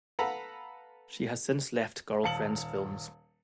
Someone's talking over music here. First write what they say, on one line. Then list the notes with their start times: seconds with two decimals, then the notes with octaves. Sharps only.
She has since left Girlfriends Films.
0.19 A4 B4 F5 F#5 A#5 B5
2.23 D#1 F5 A5 C#7 F#7